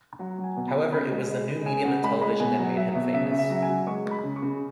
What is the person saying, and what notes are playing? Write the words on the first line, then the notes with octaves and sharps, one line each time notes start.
However, it was the new medium of television that made him famous.
F#3 F#5
F#3
G#5
B2
B5
B2
C#3 B5
G#3
G#3
G#3
C#3 G#5
C#3 F#5
G#3 B5
G#3 B5
B2 G#5
F#3
F#3 E5
B2
C#3 E5
C#3
E5
F#3
G#5
F#3
G#3 C#6
G#3
B5
C#3
C#6
C#3